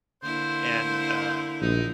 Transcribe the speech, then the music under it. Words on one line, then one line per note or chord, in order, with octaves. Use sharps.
and uh,
D3 A#3 E4 C5
A#1 D#4